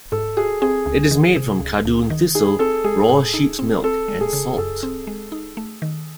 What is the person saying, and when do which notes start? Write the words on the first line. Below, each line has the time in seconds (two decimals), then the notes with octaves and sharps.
It is made from cardoon thistle, raw sheep's milk and salt.
0.12 G#2 A4
0.37 F#4 G#4
0.62 C4 G#4
0.86 C#2
1.11 D#3
1.36 C3
1.61 C#2
1.85 C#2
2.10 D#3
2.35 D#4 G#4
2.59 C4 A4
2.84 G#3 G#4
3.09 A2
3.34 D#4
3.59 C4
3.84 C4 A4
4.08 G#3
4.21 G#4
4.33 C#3
4.58 F#2 A4
4.83 C4
5.07 G#3
5.32 D#4
5.57 A3
5.82 D#3